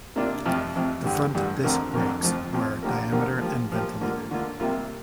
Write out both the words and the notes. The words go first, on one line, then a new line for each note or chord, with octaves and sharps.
The front disc brakes were diameter and ventilated.
C3 A#3 D4 F4
F2 C3 F3
F2 C3 F3
G2 D3 G3
G2 D3 G3
F2 D3 F3 C4 A#4
F2 D3 F3 C4 A#4
F2 F3 C4
F2 F3 C4
D3 F3 A#3 G4 A#4
D3 F3 A#3 G4 A#4
F3 A#3 G4
F3 A#3 G4
D3 A#3 F4
D3 A#3 F4
C3 G3 A#3 F4